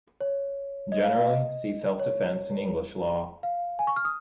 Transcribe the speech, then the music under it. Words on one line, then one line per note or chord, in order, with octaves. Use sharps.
Generally, see self-defence in English law.
C#5
D#5
F5
F5
D#5
C#5
F5
G#5
C#6
F6
D#6